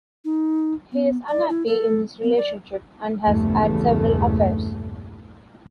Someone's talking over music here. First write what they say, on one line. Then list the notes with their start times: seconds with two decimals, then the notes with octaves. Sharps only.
He is unhappy in his relationship and has had several affairs.
0.25 D#4
0.92 B3
1.28 D5
1.49 E4
1.67 A4
2.23 B3
2.37 D5
3.25 A#1 E2 G2 C#3 A3